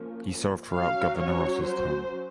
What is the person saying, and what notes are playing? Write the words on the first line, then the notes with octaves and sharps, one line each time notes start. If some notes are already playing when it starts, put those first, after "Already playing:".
He served throughout Governor Ross's term.
Already playing: F3 A#3 C#4
F#3 C#4 F5
C#5
C5